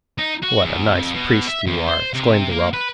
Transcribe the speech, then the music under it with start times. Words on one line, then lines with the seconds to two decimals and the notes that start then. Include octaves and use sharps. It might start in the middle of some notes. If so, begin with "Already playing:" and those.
"What a nice priest you are!" exclaimed the robber.
0.18 D#4
0.43 F#4
0.63 E2
0.95 F2
1.14 B2
1.48 E5
1.67 E2
1.87 C5
2.13 C3
2.50 A#3
2.74 B4